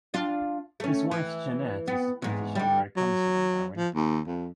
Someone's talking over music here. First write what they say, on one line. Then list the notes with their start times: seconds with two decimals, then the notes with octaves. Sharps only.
His wife Jeanette is British Honorary Consul in Darwin.
0.14 D4 F4
0.80 A3 C#4
1.11 E3
1.88 B3
2.22 E2 G#2
2.55 D3 G3
2.97 F#3
3.77 F3
3.94 D#2
4.26 F2